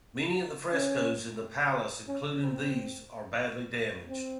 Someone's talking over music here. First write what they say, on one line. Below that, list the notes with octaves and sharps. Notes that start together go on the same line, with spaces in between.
Many of the frescoes in the Palace, including these, are badly damaged.
C#4
C#4
C4
C4